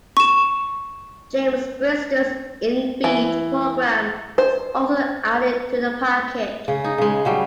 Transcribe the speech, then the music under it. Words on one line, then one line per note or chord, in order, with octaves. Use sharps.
James Brister's "innfeed" program was also added to the package.
C#6 E7
E3
C5
C#3
D#4
C#3 G#3
C#3 F#3 G3